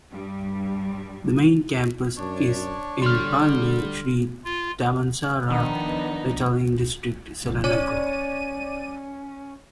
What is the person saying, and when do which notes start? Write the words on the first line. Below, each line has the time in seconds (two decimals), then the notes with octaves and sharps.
The main campus is in Bandar Sri Damansara, Petaling District, Selangor.
0.11 G2 G3
2.18 F#2 D4 C#5
3.02 D3 G3 C6 F6
4.44 F4
5.50 D#3 F3 B3 D4 D#4
7.64 C#4 C#5 D5 D#7